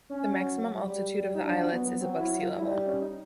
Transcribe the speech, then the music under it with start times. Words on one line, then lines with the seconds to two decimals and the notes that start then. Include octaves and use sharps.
The maximum altitude of the islets is above sea level.
0.10 C#4
0.28 F#3
0.86 G3
1.14 G3
1.34 D#4
1.43 F#3 D4
1.57 D4
1.72 B3
1.85 B3
2.00 F#3 C4
2.19 E4
2.38 F4
2.57 G3 E4
2.72 D#4
2.86 C#4
3.00 D#4